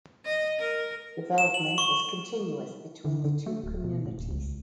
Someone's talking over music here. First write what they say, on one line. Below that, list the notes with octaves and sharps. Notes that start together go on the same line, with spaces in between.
Development is continuous between the two communities.
D#5
A#4
E7
F#7
C#6
D3
D3
A3
D1
B2
A2
D#1
C#2